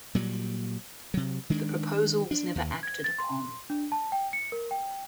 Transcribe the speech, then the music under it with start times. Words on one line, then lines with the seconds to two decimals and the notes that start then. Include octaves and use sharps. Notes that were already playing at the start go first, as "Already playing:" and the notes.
The proposal was never acted upon.
0.15 A#2 F#3 G3
1.14 C3 F#3
1.50 D#3 G#3 D4
2.31 D4
2.56 D#2
2.83 G#6
3.04 A6
3.19 C6
3.70 D4
3.92 A5
4.12 G5
4.33 C#7
4.52 A#4
4.71 G5